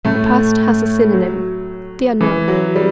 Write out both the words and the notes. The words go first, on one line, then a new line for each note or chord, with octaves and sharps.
The past has a synonym, the unknown.
A2 A3
F#3
E3
F#3
G3